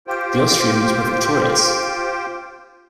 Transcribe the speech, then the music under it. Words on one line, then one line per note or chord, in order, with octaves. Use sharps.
The Austrians were victorious.
F4 G4 C5 G5